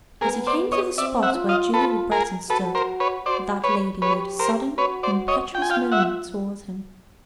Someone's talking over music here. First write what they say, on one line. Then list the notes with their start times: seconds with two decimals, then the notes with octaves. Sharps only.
As he came to the spot where Julie Le Breton stood, that lady made a sudden, impetuous movement towards him.
0.21 B3 G#4 A#4
0.47 C5 D5
0.72 C#5 D#5
0.98 C4 D5 E5
1.23 E5 F#5
1.35 F4
1.49 D#5 F5
1.74 F4 A4 B4
2.11 G#4 A#4
2.50 F#4 A4 B4
2.75 A#4 C5
3.00 B4 C#5
3.26 F#4 C5 D5
3.64 B4 C#5
4.02 G4 B4 C#5
4.39 A#4 C5
4.78 F#4 B4 C#5
5.03 C5 D5
5.28 C#5 D#5
5.54 F4 G5
5.62 G#5
5.70 F5 G5
5.92 E5 F#5